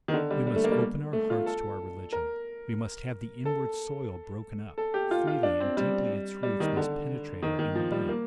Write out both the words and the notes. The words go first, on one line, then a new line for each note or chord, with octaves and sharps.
We must open our hearts to our religion; we must have the inward soil broken up, freely and deeply its roots must penetrate our inner being.
D#3
D3
G3
G3
A3
A#3
G3
A3
F4
A4
A#4
A4
A4
G4
F4
F4
D4
C4
G3
G3
D#3
D3
D#3
D#3
F3
G3
A#3